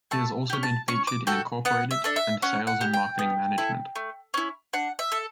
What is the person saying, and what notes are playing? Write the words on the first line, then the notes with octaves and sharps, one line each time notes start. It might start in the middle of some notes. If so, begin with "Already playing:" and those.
He has also been featured in "Incorporated" and "Sales and Marketing Management".
A3 A5
C#4 G4
A5
C#4 C#6
D6
F#4 A4 G5
B3 F#5
E5
D4 A4
E5
C#4 F#5
F#5
G4
G5
B3
E4 A4
A3
C#4 E4
D4 F#5
E5
A4